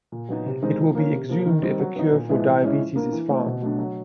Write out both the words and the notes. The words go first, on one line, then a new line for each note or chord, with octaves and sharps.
It will be exhumed if a cure for diabetes is found.
A#2
F#3 B3 D#4
C3
D#3 G#3 C4 D#4
F3
A#3 C#4
C3
F3 A#3
D#3
G3 C4 D#4
F#3
B3 D#4
A#2
F3 G#3 B3 E4
E3
G#3 C#4 E4
F3
A#3 D4
E3
A3 C4 E4
B2
F#3 A3 D4
F#3